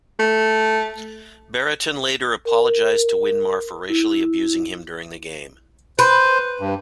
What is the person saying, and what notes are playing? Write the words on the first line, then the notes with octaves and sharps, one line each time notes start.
Brereton later apologised to Winmar for racially abusing him during the game.
A3
A#4
E4
B4 C5
G2